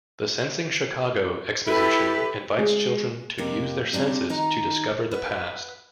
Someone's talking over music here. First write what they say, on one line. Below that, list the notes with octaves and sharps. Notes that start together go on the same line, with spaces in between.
The "Sensing Chicago" exhibition invites children to use their senses to discover the past.
E4 G4 A4 B4
G#3
F2 C3 A#3 G4
G3 C4 D4 D#4
D#3 D#4 A#5
B4 F#5